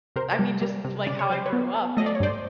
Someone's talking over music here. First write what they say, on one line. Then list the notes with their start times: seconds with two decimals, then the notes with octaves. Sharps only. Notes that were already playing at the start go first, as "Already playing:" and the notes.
I mean, just like how I grew up and,
0.16 C3 A#4 C5
0.39 G3
0.62 G3
0.84 C3
1.07 C#3 D5
1.19 C#5
1.30 F#3 C5
1.46 B4 C#5
1.53 B3
1.74 B3
1.97 A3 D#5
2.06 D5
2.15 C#5
2.20 G2 C5 D5